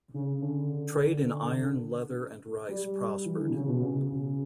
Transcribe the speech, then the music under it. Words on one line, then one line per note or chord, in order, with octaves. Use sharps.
Trade in iron, leather and rice prospered.
C#3
D3
G3
E3
D3
B2
C#3
B2
C#3